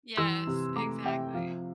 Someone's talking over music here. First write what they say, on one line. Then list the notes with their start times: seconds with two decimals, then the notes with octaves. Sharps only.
Yes, exactly.
0.17 E3 C6 E6
0.47 C3
0.76 A3 A#5 D6
1.05 C3 E5 G5
1.34 F3 F5